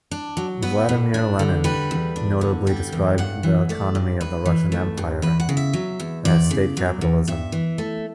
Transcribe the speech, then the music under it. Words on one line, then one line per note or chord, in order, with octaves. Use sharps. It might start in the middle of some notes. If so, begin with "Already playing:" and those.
Vladimir Lenin notably described the economy of the Russian Empire as state capitalism.
D4
F#3
B3 B4
A2
D4
D3
G3 B4
E2
D4
D3
G3 G5
E2
G2 F#5
E3
A3 D5
G2
G2 B4
E3
A3
G2
E2 B4
F#5
C#3
E5
F#3
E2
E2 D5
C#3
F#3
E2
G2 E5
E3
A3